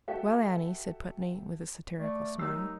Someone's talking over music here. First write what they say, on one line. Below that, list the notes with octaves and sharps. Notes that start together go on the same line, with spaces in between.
"Well, Annie," said Putney, with a satirical smile.
F#4 G4 A4 E5
A3 D5
F#3 A3 D#4 G4 A#4 E6